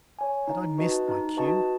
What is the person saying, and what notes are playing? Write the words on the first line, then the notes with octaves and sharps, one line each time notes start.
Had I missed my cue?
C#5 G#5
D#4
F#4 B4 D#5 A5
D#4
F#4 B4 D#5 A5